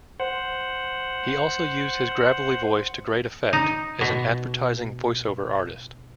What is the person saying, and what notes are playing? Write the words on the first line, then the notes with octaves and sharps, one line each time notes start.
He also used his gravelly voice to great effect as an advertising voice-over artist.
C5 F#5
D#4
B2